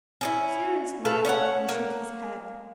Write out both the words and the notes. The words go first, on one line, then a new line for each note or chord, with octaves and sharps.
Cyril smiled, and shook his head.
C#4 D#4 E4
A3 A4 B4 F5
C#4 C#5 E5 F#5
A#3